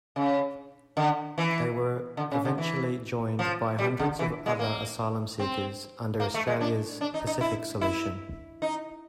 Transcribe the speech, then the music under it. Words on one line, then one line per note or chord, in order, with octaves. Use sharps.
They were eventually joined by hundreds of other asylum seekers, under Australia's "Pacific Solution".
C#3
D3
E3
D3
C#3
D3
E3
F3
G3
D3
E3
G#3
A#3
C4
A#3
A3
G#3
D4
D4
D#4
D#4
E4
E4
D#4